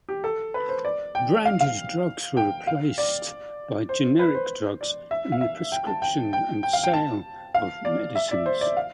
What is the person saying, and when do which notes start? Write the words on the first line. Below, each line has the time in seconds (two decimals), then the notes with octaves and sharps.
Branded drugs were replaced by generic drugs in the prescription and sale of medicines.
0.09 G4
0.24 A4
0.54 B4
0.69 C5
0.85 D5
1.15 G5
1.45 F5
1.61 F5
2.37 G5
2.67 F5
2.98 D5
3.89 C5
4.19 B4
4.35 C5
4.81 D5
5.11 E5
5.32 F5
5.41 E5
5.72 G5
5.87 A5
6.02 G5
6.33 G5
6.63 G5
6.73 F5
6.83 G5
6.94 A5
7.54 F5
7.85 D5
8.15 E5
8.31 D5
8.46 C5
8.61 D5
8.77 F5